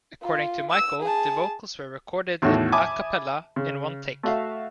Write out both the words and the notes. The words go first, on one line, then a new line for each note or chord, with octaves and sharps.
According to Michael, the vocals were recorded in a cappella in one take.
F4
E6
G#4 A5
E2 A2 D#3 F#4 A4
E5 G#5 A5 B5 D6 D#6
C#3
A3 F#4 E5 F5